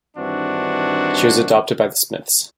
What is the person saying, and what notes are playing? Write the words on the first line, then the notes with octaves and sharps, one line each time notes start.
She was adopted by the Smiths.
G2 D#3 E3 C4 D4 F#4